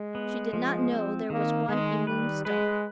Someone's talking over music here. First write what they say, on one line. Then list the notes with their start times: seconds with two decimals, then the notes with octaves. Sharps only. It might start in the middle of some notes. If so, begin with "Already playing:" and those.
She did not know there was one in Moonstone.
Already playing: G#3
0.15 B3
0.53 F3
0.92 C4
1.30 D#3 A#3
1.68 D#3 G#3
2.06 G3 B4
2.45 G#3 B4